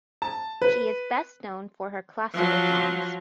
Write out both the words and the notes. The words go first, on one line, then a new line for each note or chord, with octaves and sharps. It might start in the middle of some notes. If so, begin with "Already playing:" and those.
She is best known for her classical songs.
A5
B4
F3 F#3